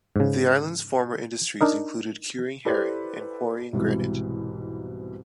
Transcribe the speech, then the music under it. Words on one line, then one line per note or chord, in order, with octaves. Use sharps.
The island's former industries included curing herring and quarrying granite.
G#2 C#3
D4 D#4 A#4 D#5
E4 G4 A4 B4 C5 D5
C2 G#2 B2 E3